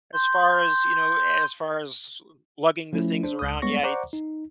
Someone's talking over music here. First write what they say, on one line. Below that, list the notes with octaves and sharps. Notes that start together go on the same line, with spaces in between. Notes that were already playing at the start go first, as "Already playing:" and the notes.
as far as, you know, as far as, uh, lugging the things around, yeah, it's
C6 G6
F3 A3 C#4 E4
D4 C5
C#2 D#6
G3 G#3 B3 C#5 C#6 A#6
C5 D5 F#5 A#5 C#6 D6
D#4